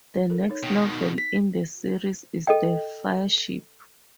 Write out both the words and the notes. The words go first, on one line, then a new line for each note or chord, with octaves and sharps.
The next novel in the series is "The Fireship".
A4 A#4
D#4 C#5
B2 D#3 G5
D#4
B6
A4 D#5 G5